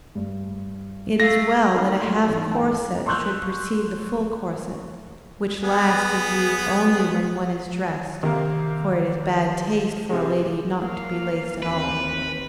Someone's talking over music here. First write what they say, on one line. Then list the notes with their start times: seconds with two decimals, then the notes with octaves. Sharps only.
It is well that a half corset should precede the full corset, which last is used only when one is dressed; for it is bad taste for a lady not to be laced at all.
0.15 G2
1.20 A3 F5 A#6
1.74 D#2 C4 A#4 B5 F6
2.02 G1 A3 F#4 G5 C6
2.27 B1 E2 G#2 E3
2.52 G5 A5
3.06 C6 C#6 E6 F#6 G6
5.63 B3 G#4
8.23 C3 D#3 A#3 F5
10.10 C3 G#3
10.79 A#3 F5
11.62 D#2 C4 B4